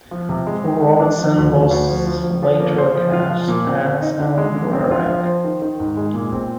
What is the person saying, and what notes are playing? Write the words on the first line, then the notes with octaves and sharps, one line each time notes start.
Robinson was later cast as Elim Garak.
F3
C3
G#3
D#3
G#3
D4
F3
D2
D2
D2
F3
F3
F3
F3
A#3
C5
F3
F4
F3
A#2
C4
C4
D#4
D3
G#3
D3
C4
F4
F3
C5
D#3
D#3
G#2
G#3
A#2
C4